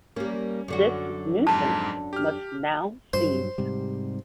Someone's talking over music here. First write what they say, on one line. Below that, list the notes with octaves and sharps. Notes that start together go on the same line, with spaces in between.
This nuisance must now cease.
G3 A#3 C#4
F#2 D3 F#4
F2 G#2 A5
G4 F6
G2 F#3 C5
G#2 C3 G3